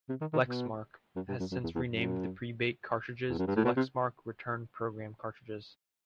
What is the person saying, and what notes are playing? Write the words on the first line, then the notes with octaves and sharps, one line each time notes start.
Lexmark has since renamed the Prebate cartridges to Lexmark Return Program Cartridges.
C3
D#3
D#3
B2
F#2
G2
F#2
F#2
E2
E2
F#2
E2
F#2
G2
A2
B2
C3